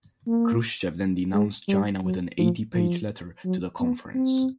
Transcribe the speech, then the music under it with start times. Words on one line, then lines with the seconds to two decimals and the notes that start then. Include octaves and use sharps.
Khrushchev then denounced China with an eighty-page letter to the conference.
0.27 A#3
1.33 G#3
1.68 G3
2.04 F#3
2.39 F3
2.74 F3
3.44 F#3
3.80 B3
4.15 C4